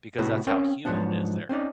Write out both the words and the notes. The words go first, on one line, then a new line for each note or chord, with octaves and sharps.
because that's how humid it is there.
A2 C3 B3 E4 F#4
C4 C#4 A#4 F5 G5
G#2 D#3 F3 F#3 B3 D4
C4 C#4 D#4 D5